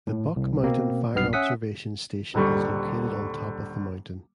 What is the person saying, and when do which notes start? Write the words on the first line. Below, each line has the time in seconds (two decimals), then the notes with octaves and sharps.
The Buck Mountain Fire Observation Station is located on top of the mountain.
0.07 A2
0.36 C2
0.63 B2 A#3 C4
1.15 B1 G2 B3 F6 C7
1.33 C#4 E5 F#5 D#6 B6
2.34 D#1 D3 G3 C#6